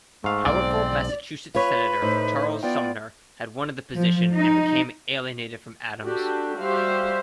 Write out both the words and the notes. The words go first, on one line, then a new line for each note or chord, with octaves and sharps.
Powerful Massachusetts Senator Charles Sumner had wanted the position and became alienated from Adams.
G#2 A3 F5
B1 C4 D5
F4 B4 C#5
A2 D#4 C5 E6
B3 F4 D5 G5
F3
D#4
D4 F#4 G4 A4
G3 F#4 G4 C5 E5 F5